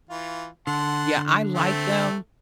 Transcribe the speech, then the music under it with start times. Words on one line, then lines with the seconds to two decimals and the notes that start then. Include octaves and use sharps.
Yeah, I like them,
0.10 E3 F4
0.67 D3 F#5 A5 C6
1.54 A3 C4